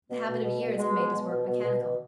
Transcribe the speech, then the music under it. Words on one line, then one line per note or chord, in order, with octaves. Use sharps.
The habit of years had made his work mechanical.
B2
B2
B2
B2
B2 G#3
B2
B2
B2
B2
B2
B2